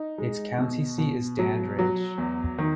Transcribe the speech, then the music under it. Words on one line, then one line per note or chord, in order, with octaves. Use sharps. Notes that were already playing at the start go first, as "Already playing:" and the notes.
Its county seat is Dandridge.
Already playing: D#4
G#3
B2
B2
F#3
F#3
E2
D#3